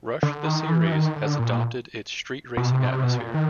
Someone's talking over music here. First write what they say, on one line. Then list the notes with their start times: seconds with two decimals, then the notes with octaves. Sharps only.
Rush the series has adopted its street racing atmosphere.
0.23 D3
0.46 D#3
0.69 E3
0.92 D#3
1.16 D3
1.39 A#2
2.57 B2
2.72 C3
2.83 B2
2.88 C3
3.04 B2
3.19 A#2
3.34 D#3